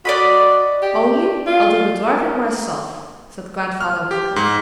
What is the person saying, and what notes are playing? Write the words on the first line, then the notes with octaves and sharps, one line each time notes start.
"Only, I'll do the driving myself," said Grandfather Winkle.
F#4 D5 D#5 B5
G4
F4
A#4
F6
G4
G#2